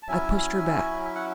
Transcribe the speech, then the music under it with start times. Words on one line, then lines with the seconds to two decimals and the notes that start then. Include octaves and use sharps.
I pushed her back.
0.03 A5
0.08 F#3 C#4 E4 E5 G#5
0.38 E5 G#5
1.04 E5
1.15 F#5